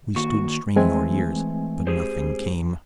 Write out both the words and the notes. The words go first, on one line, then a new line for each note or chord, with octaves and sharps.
We stood straining our ears, but nothing came.
D#3 A#3 F#4 C#6
E3 G#3 A3 C4 G#5
G4 G#4 C5